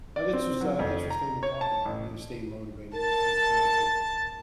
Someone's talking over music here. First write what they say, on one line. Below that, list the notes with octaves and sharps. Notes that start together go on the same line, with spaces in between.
Uh, this was, uh, interesting to talk about, you know, staying motivated and and connected,
D5
C4
F#3
F2
A#5
C#5
A5
A1
A#4 A5 A6